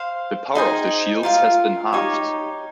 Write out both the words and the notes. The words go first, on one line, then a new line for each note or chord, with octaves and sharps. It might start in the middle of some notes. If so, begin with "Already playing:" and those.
The power of the shields has been halved.
Already playing: C5 F5 C6
D#4 G#4 C5 G5
F4 A#4 F5
D#4 G4 C#5